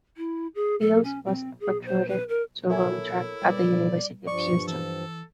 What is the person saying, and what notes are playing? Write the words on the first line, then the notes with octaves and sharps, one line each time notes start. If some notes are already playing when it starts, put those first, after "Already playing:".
Fields was recruited to run track at the University of Houston.
E4
G#4
A4
C#4
C4
G#4
C5
B4
A#4
E4 A4 A#4 C#5 E5 G#5 G#6
G3 B4 D5
G2 F3 D5 C#6
E3 A4